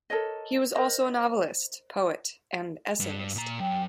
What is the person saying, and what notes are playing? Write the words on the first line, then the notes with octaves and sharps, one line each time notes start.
He was also a novelist, poet, and essayist.
A4 A#4 C#5 D#5
A#4 C5 D#5
G2
A#2 A#5
F#2 G5